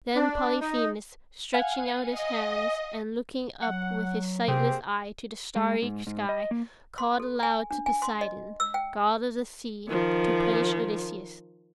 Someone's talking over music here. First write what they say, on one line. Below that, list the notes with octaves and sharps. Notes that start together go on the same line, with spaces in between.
Then Polyphemus, stretching out his hands, and looking up with his sightless eye to the starry sky, called aloud to Poseidon, god of the sea, to punish Odysseus.
D4
D#4
F5 F#5 G#5
D#5
F#3 F#5
C3 A#3 C4 G4 G#4
G#3
G#2
G#2
D#5
A#3
C6
A4
G#5
D4
G#5
C6
D#5
E6
G5
D#3 F3